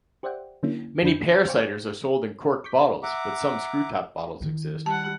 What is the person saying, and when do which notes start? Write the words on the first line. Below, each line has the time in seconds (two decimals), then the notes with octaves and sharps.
Many pear ciders are sold in corked bottles, but some screw-top bottles exist.
0.23 G4 C5 D5 E5 F#5 G5
0.63 D3 F#3 A#3 C#4 E4
1.02 F2 D3 D4 B5 G6
1.47 C5 F5 G5 G#5 C#6 D6
2.64 C#6 D6 G6 B6
3.03 E5 F#5 A#5 D6
4.40 D#3 E4
4.86 G3 F#5 A5